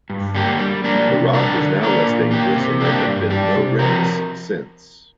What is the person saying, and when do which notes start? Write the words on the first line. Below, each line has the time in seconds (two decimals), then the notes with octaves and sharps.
The rock is now less dangerous and there have been no wrecks since.
0.10 G2
0.35 D3 A#3 G4
0.59 G3
0.84 A#3 D4 A#4
1.08 C3
1.33 G3 D4 A#4
1.57 D3
1.82 A#3 D4 A#4
2.06 A#2
2.31 A#3 G4
2.56 C3
2.80 A#3 D4 G4
3.05 G2
3.30 G3 D4 G4
3.55 C3
3.79 F3 C4 A#4